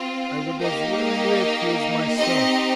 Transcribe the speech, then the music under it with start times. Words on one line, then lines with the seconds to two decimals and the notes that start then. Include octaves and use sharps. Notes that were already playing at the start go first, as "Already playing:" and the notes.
I would as willingly accuse myself!
Already playing: C4 F4
0.59 A#3 D#4 G4
2.16 C4 D#4 G4 D#5